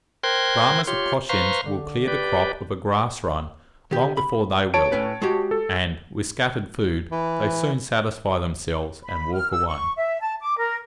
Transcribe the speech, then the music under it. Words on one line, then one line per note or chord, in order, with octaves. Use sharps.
Brahmas or Cochins will clear the crop of a grass-run long before they will, and, with scattered food, they soon satisfy themselves and walk away.
A#4 C5 G5 C6 F#6 G#6
F4 G4 C#5 C6
B4 C5 F5 A#5 C6 C#6
D3
G4 B4 D5
D#3 G4
B5
C#5 A5 D7
A2 C#4 B4
G#3 F#4 G4
A4
E3
B5
F6
E6
C#6
E5
A5
D6
A#4